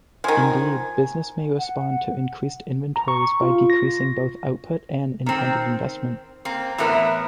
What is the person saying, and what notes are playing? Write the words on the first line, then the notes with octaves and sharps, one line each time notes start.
Indeed, business may respond to increased inventories by decreasing both output and intended investment.
D#3 F3 G#5
F#5
A#5
C#6
F4
A#6
D#3 C4
A#3 C4
A2 E3 B3 E4 A#4